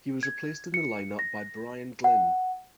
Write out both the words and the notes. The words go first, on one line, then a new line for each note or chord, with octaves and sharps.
He was replaced in the lineup by Brian Glynn.
G#6
C#7
A#6
F#5